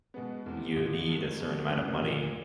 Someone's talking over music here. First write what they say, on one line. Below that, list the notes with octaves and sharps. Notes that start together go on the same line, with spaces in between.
you need a certain amount of money.
B2 G#3 B3
F1 E2 C3 E3
A1 A2 F3
G2 D#3 G#3
B2 G3 A#3
G#1 F#2 D3 F#3 B3
A#2 F3 A#3 D4